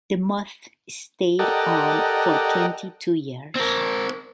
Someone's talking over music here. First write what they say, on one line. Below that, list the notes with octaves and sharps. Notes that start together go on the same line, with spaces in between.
DeMuth stayed on for twenty-two years.
G4 A4 A#4 D5 D#5 F#5
C4 A#4